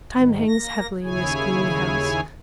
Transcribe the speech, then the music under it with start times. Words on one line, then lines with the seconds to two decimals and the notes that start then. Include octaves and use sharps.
Time hangs heavily in this gloomy house.
0.13 G#2 D#3
0.47 A#3 A#6
1.03 D#2 C#3 E4 G#4 C#5 G#5